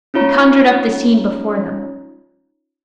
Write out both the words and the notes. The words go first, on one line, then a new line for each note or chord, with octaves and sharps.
He conjured up the scene before them.
C#4 D#4 F4 C#5 A#5